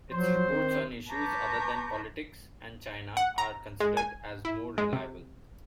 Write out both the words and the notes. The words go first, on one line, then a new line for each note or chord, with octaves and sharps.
Its reports on issues other than politics and China are considered as more reliable.
F3 F#3 C5
D#3 C4
B4 A5 A#5 C#6 D6 G6
F#5
A#5
G#3
G#5
E4
G#3
C3